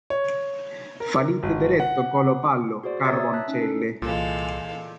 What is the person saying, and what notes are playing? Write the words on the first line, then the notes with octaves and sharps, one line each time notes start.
Falite dereto colo palo, Carvoncelle!
C#5
A#4
G#1
F#5
F#4 G#4 C5 D5
C#5 E5 A#5 D#6 E6 A6
E5
A5 F#6 B6
C#4 D#4
A4
C2 A#2 E3 G#3 A4 F5